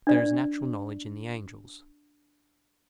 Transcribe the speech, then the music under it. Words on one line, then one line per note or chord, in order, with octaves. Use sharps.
But there is natural knowledge in the angels.
D4 D5